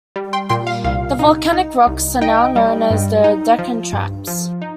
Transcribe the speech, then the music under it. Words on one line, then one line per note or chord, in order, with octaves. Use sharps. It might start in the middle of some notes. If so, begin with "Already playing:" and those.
The volcanic rocks are now known as the Deccan Traps.
G3
G5 C6
A#2 G5 C6
F5
C2 F5
D#4
D#4
C2
D#4 D#5 G5
G3
G2
D#4
F3
G2
F3
D#4